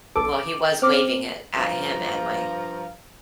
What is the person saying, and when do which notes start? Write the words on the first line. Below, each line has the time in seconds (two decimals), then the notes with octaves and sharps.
well, he was waving it at him and my
0.16 B1 A4 D6
0.82 C4 D6 F6
1.54 G2 F3 F5 A#5